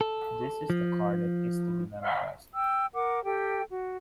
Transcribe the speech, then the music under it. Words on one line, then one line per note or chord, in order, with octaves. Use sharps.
This is the card that is to be memorized.
A4
F3
G5 E6
A#4 F#5 D6
G4 A4 G5
F#4